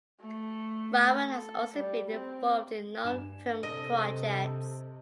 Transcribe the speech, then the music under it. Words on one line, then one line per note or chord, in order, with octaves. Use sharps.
Rahman has also been involved in non-film projects.
A3
A4
G3
C4
G2 G#5 E7
C3 A4 D#5